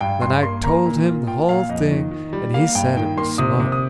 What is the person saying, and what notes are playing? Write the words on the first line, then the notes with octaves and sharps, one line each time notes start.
Then I told him the whole thing, and he said it was smart.
G2 G5
G2 C6
A#3 C6
A#3 A#5
A#2
F4
F4 G5
A#2 F5
F2 D#5
D#3
D#3
G3
A#3 F5
G2 G5
D#3 G5
A#3 C6
C3 D#6
C3
D#6